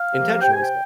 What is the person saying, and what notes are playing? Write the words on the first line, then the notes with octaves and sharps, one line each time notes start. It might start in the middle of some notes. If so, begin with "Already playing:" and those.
Intentionally so
Already playing: F5
C3 F3 A#3
C3 G5
G#5
G5